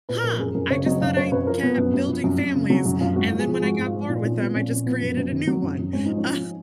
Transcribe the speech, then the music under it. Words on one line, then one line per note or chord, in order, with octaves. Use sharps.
"Huh, I just thought I kept building families, and then when I got bored with them, I just created a new one." Um,
A#2 B4
F3 A#4
F#2 G#4
F#2 A#4
C#3 C#5
F#3 D#5
F#2 F5
F#2 C#5
F#2 B4
F3 A#4
F3 B3
F#2
F#2
F3
F#2
F#2
C#3
F#3 C#4
F#2
F#2 F4
G#2 F#4
F3
G#4
F3
G#4
G#2 F#4
G#2
F4
F3
A#2 D#4
F3 C#4
F3 B3
A#2 C#4
A#2 C#4
F3 B3
F#2
F#2
D#3
F#3
F#2
F#2
G#2 C#4
F3 D#4
C#4
F3